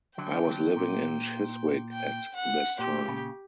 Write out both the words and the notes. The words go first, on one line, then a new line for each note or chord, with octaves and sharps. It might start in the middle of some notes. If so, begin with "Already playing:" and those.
I was living in Chiswick at this time.
D3 F#3 G5
D3 F#3
A#2
G5
F#5
A#2 G4
A#2 C#3